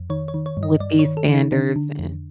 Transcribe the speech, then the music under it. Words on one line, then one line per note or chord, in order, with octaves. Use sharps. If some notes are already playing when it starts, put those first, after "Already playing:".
with these standards and
Already playing: F2
D#3 C#5
C#5
D#3
C#5
G2
D#5
G2 D5
C#5
D#3
A4
D#3
D#4
D3 D4
D3
F2